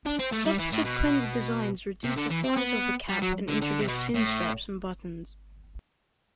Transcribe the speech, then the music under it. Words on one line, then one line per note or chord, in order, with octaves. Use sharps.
Subsequent designs reduced the size of the cap and introduced chinstraps and buttons.
D4
C4
A3
G3
E3
A2
B2
C3
D3
E3
C4
B3
G3
F#3
D3
D3
C3
B2
A2